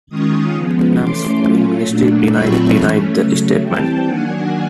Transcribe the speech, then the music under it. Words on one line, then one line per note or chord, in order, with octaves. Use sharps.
Vietnam's foreign ministry denied the statement.
D#3 G#3 C#4 F4 C#6 D#6
C#3 F3 G#3 B3
E3 A3 C#4 C6 D6
F#3 A3 C#4 F4
A#2 F#3 A3 D4
A#2 F#3 A3 C4 F4 B5 C#6
E3 A3 C#4
C#3 F#3 A3
E3 G3 C4 G5 A5
D#3 F#3 A#3 D4 F#5 G#5